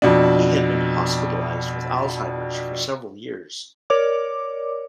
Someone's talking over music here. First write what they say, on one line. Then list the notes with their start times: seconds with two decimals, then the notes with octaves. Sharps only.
He had been hospitalized with Alzheimer's for several years.
0.02 F2 B2 D4
3.90 A#4 C#5 D5 D6